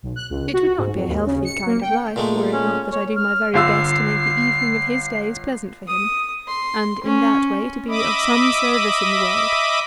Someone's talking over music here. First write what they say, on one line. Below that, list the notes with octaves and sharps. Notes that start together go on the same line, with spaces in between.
It would not be a healthy kind of life were it not that I do my very best to make the evening of his days pleasant for him, and in that way to be of some service in the world.
B1
F#6
C#2
F#4
G#2
F2
D#2
C#3
C#7
A#3
G5
A#2 G#3 A3
C#4
C#5
F6
G1 F4 E6 C7
D#6
C6
C#4
D#5 E5 B5 D6 D#6